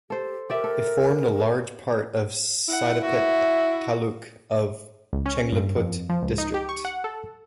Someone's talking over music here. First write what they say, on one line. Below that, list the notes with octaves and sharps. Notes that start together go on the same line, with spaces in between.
It formed a part of Saidapet taluk of Chengleput district.
G4 A4 C5
G4 A#4 D5 E5
A4
E4 F#5
F#4 E5
C#2
C#4
G2
F2
F3
C#2
D#4
G4
C#6
F#5
A4